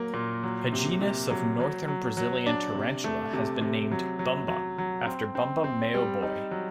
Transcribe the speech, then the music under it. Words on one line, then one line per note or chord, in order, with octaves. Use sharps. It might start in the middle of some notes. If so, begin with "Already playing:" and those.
A genus of Northern Brazilian tarantula has been named "bumba", after Bumba Meu Boi.
Already playing: F#3 A#3
A#2
F#3
C3
C3
F#3
F#3
F#3
F#3
D4
C3
A3
C3
C3
F#3
F#3
F#3
F#3
C4
C4
C4
G3
D#4
F#3